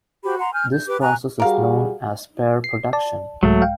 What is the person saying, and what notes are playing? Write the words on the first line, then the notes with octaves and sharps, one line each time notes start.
This process is known as pair production.
F#4 G4 C5 B5
F#5 A#5 C6
G#5 F6 G6
G6
G4 B4 D6
G#5 A#5 C#6 F#6
G3 F#4 G#4 A#4 F5
C7
D5 A5
C2 G#2 F#3 G#3 A3
F5 G5